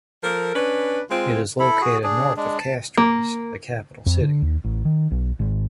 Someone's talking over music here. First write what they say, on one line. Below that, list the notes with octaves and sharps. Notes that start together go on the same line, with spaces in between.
It is located north of Castries, the capital city.
F3 A4 A#4
C#4 D4 B4
G#3 C4 F4
E4 A4 B5
F#4 G#4
D4 G#4
G#3 D4
A5
A#3
F2
D3
D#2
A1
D#3
B1
G#1